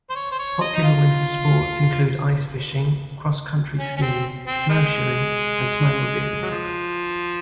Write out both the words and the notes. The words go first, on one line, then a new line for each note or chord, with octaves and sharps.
Popular winter sports include ice fishing, cross-country skiing, snowshoeing, and snowmobiling.
C5
C#5
C5
C#5
D#5
D#4
F4
C#4
C#4
C4
C4
G#3
F#3
F3